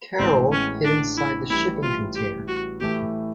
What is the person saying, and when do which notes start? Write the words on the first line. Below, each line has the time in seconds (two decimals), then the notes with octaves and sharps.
Carol hid inside the shipping container.
0.19 A1 A2 E3 G#3 B3 C4
0.52 C#4
0.84 D4
1.17 E4
1.50 A1 A2 E3 G3 E4
1.83 F4
2.16 G4
2.48 F#4
2.81 A2 E3 A3 G4